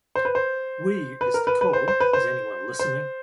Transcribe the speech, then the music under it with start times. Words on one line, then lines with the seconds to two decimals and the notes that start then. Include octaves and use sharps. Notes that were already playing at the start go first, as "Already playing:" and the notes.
"We" is the call, is anyone listening?
0.15 C5
0.25 B4
0.35 C5
1.21 B4
1.34 A#4
1.47 B4
1.61 B4
1.73 C5
1.88 C5
2.00 B4
2.13 C5
2.79 C5